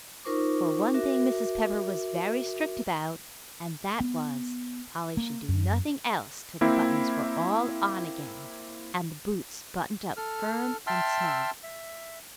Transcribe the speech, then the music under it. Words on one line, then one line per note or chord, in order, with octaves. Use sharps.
For one thing Mrs. Pepper was very strict about--and that was, Polly should do nothing else till the buttons were all on again, and the boots buttoned up firm and snug.
D#4 F4 A#4 C5 C#6 D6
F#4 A#4 E5 D6
B3
A#3
F#2
A#3 C4 E4
A4 F6
E5 G5 A5 C6 E6 F6
E5